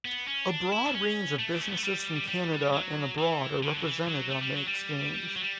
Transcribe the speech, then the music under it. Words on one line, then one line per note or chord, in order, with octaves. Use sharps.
A broad range of businesses from Canada and abroad are represented on the exchange.
B3
C#4
D4
E4
D4
C#4
A3
D4
C#4
B3
A3
G3
G3
F#3
E3
D3
F#3
E3
F#3
A3
G3
F#3
G3
F#3
G3